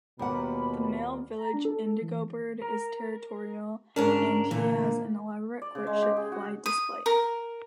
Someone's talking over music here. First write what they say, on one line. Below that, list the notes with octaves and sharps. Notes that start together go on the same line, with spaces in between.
The male village indigobird is territorial, and he has an elaborate courtship flight display.
D#2 B2 G3 A#3 F4 F#5 B5
A#5
D4
A4
E3
A#4
D2 G#2 C#4 D4 A#4
A#2 D3 E3 A#3
D5
C#3
G#3
G4
G#4
F#4
D#6
A#4